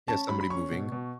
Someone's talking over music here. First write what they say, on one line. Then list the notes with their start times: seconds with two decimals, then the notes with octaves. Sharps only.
Yeah, somebody moving.
0.08 C#4 A5
0.29 F#3 B5
0.41 B5
0.50 C#4 C#6
0.71 B2
0.92 B2